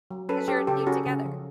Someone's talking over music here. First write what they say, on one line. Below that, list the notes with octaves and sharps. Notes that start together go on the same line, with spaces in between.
'cause you're a team together.
F#3
C#4 A4 B4
C#4 G4 A4
C#3 G4 A4
A4
C#4 F#4 G#4
C#3
F3